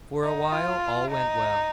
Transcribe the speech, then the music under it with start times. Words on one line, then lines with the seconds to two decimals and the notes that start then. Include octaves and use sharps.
For a while all went well.
0.24 D#4
0.52 F4
1.11 D#4